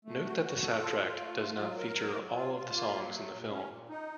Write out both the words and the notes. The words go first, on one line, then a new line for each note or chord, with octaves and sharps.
Note that the soundtrack does not feature all of the songs in the film.
A3
F#4
F#4
A4
F4
F4
A3
F4
F#3
A#4
F#3
F#3
F4
F4
A#3
F#3
A3
A#2
C#4
A#2
D#4